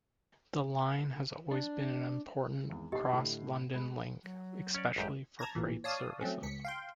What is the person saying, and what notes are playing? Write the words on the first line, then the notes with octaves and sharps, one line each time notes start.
The line has always been an important cross-London link especially for freight services.
D4
G#1 E2
B1 G4 D#5 C7
A2 D3
G#3 B5 F#6
F#3
C#4 C#5 D5
A1 F#2 G#3 G4
A5 A#5 G#6 A#6
A1 A#2 E3
C#5 D5 F5 A5 D#6
F#3 A3 C4 C#4
C#2 B6 C#7
F5 G5 C6